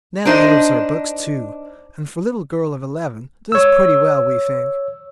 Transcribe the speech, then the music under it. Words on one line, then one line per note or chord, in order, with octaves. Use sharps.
Nellie loves her books, too; and, for a little girl of eleven, does pretty well, we think.
D4 D#4 C5 C#5 D#5
C#5 E6